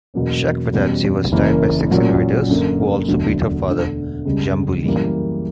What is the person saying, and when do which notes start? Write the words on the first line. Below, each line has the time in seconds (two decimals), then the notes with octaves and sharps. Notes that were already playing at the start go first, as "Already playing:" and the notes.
Chakvetadze was tied by six invaders who also beat her father, Djambuli.
0.14 E2 B2 F#3 A#3 C#4
0.73 E2 B2 G3 C#4
1.32 F#1 F#2 E3 A#3 C#4
1.90 A#2 F#3 C#4
2.49 F#2 D3 A#3
3.08 E1 D2 D3 F#3
3.67 E1 D2 D3
4.25 C#2 C#3 G3
4.84 F#2 E3 G3 A#3